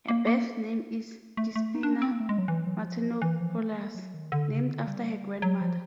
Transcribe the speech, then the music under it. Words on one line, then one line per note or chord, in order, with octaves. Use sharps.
Her birth name is Despina Matenopoulos, named after her grandmother.
A#3
A#3
A3
A3
D#4
D4
C#4
C4
A#3
A3
G#3
F#3
E3
F#3
F3
E3
F3
A3
A#3
F#3
D#3
D3
C#3
D3
G3
F#3
F3